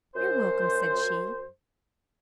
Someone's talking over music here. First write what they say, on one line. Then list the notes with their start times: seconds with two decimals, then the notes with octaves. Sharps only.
"You're welcome," said she.
0.16 F#2 C5